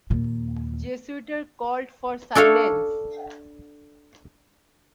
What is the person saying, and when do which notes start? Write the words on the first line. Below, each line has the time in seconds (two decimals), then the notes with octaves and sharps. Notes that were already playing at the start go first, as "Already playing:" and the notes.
Jesuiter called for silence.
0.10 D#2 A#2
2.35 D4 A4 C#5 F5